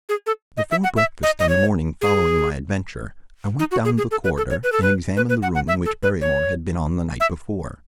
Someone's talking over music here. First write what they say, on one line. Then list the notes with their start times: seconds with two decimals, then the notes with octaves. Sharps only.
Before breakfast on the morning following my adventure I went down the corridor and examined the room in which Barrymore had been on the night before.
0.09 G#4
0.26 A4
0.57 D#5
0.71 E5
0.83 F#5
0.96 E5
1.23 D#5
1.39 D#5
1.49 C#5
2.01 G#4
3.59 D#4
3.71 F#4
3.85 G#4
3.97 G#4
4.11 A4
4.24 B4
4.37 A4
4.50 C#5
4.63 B4
4.72 A4
4.82 B4
5.16 B4
5.29 B4
5.42 F#5
5.55 F#5
5.68 E5
5.85 A4
6.03 B4
6.21 C#5
7.20 E5